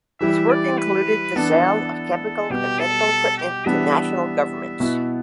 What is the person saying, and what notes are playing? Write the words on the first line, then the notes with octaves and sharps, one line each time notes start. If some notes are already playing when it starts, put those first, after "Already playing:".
His work included the sale of chemical and medical equipment to national governments.
E3 G3 E4 E5
D5
B4
E3 B3 D4 A4
A4
B2 G3 B3 G4
A4
G4
E3 G3 B3 D4 E5
E5
B2 B3 E4